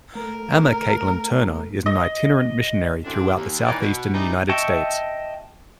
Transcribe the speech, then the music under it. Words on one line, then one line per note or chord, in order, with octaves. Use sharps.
Amma Caitlin Turner is an itinerant missionary throughout the southeastern United States.
A3 A#4
D#5
F#2 A2 E3 C4 D4
D#2
A#2 D#3 E3 D#4 C#5 D5
B2
E3 G3 D#4
D#5 E5 G5 A5 C#6